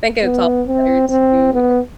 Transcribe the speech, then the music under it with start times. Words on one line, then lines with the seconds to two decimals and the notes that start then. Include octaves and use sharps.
I think it's all better to
0.23 B3
0.67 C4
1.09 C4
1.53 B3